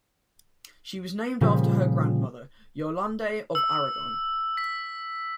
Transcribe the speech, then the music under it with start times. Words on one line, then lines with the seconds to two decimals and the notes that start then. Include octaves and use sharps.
She was named after her grandmother, Yolande of Aragon.
1.41 A#2 C#3 F3 G3
3.55 E6
4.57 B6